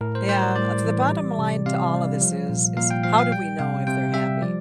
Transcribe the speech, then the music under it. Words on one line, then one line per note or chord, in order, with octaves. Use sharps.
Yeah, uh, to the bottom line to all of this is, is how do we know if they're happy?
A2 A#4
C5
G3 C5
D5
A2 D5
E3
G3
C3
C3 F5
G3
F3
A#2
A#2 F5
G5
F3 F5
F5
G3 G5
C3 F5
C3 G5
G3 E5
F3 D5